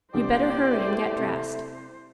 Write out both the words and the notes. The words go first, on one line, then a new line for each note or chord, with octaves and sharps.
'You'd better hurry and get dressed.
A#1 C3 E4 G4 C5 D5
A3
C3